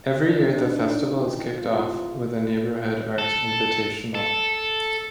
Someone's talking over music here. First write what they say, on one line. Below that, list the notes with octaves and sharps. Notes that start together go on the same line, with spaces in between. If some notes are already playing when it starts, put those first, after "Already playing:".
Every year the festival is kicked off with a neighborhood art invitational.
D4 D#4
B2 D#3 E3 C4 D4 D#4
C3 E3 F4
A4
A4